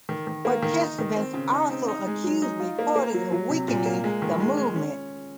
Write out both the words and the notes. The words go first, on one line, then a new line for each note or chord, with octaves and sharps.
Participants also accused reporters of weakening the movement.
D#3
D#3
A#3
D#3
D#4
D#3
C4
C#3
D#4
C4
D#4
G#3
F#3
D#4
F4
A#3
A#3
F#3
F#3
C3
A#2
A#3
G#3
D#3
G#3
G#3
C#4